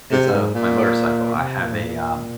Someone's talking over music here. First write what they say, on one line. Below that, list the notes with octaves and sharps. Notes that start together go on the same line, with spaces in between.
is of my motorcycle. I have a, um
C3
G#2
A#2
A#2
C3
A#2
G#2
A#2